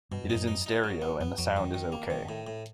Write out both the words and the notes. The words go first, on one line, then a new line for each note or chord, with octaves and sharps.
It is in stereo and the sound is okay.
G2 B2
F#2
D#4
F#2
D#4
D#4
F#3
B3
F2 B3
F2 F#3
D#3
D#3
A#3
D#3
A2
A2